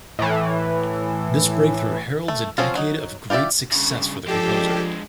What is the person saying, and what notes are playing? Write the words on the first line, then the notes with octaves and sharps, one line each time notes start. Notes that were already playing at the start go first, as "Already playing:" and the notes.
This breakthrough heralds a decade of great success for the composer.
A2 E3
A3
F3 F#3 C4 C#4 F4
F#3 D#4
F4 G4 A4 D5 E5
G2 C#3
F3 G#3 D4 G4 A4